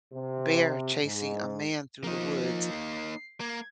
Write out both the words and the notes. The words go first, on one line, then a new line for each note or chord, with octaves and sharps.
bear chasing a man through the woods,
C3
G#2
F3 A#3 D#4
C7
A#3 G#6